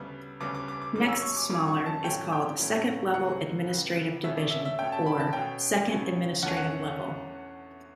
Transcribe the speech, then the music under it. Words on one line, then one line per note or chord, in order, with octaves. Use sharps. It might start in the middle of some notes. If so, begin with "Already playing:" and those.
Next smaller is called "second-level administrative division" or "second administrative level".
Already playing: D2 C#3 G3 B3
D2 C#3 G3 B3 D6
D6
D6
D6
F#2 E3 G3 C#4 D6
E6
C#6
D6
F#2 E3 G3 C#4 D6
C#6
A5
A2 F#3 A3 C#4 G5
G5
A2 F#3 A3 C#4
C#2 C#3 F#3 F#5
C#2 C#3 F#3
B2 A3 C#4 E5
D5
E5
E5
B2 A3 C#4 G5
A5
B5
A5
B2 A3 C#4 G5
B2 A3 C#4
E2 D3 A3 C#4 F#5
F#5